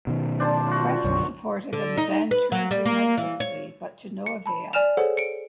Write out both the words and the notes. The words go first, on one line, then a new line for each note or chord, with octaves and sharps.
The press was supportive and the band toured relentlessly, but to no avail.
B2 D#3
D4 C5 A5
F4 F#4
B1 F#2 D3 C#5
D3
D#4
B4
F#3
G3
A#3
E3
C#5
C#7
A5 B5
D5 G#5 F6 E7 F7
G#4 A4 C5 C#5 F#5
C#7 D7